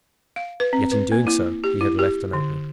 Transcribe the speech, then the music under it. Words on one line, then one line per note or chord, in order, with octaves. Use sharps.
Yet, in doing so, he had left an opening.
F5
B4
C4
B4
A#3
E4
G4
E4
G4
D3